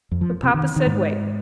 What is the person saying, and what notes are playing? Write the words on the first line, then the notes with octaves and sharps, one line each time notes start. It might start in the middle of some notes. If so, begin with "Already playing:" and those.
But Papa said, "Wait."
F2
F3
C3
D#3
D#3
G#2